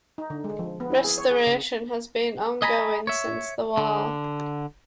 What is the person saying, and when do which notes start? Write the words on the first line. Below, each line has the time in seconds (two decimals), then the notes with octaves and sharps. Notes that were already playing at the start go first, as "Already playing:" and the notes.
Restoration has been ongoing since the war.
0.18 D#4
0.30 D3
0.44 G#3
0.59 F3
0.80 B3
0.92 E4
1.04 G#4
1.18 C#5
1.31 G#4
1.47 C#3
2.62 D#5 G#5 A#5 B5
3.07 C#5 E5
3.77 D3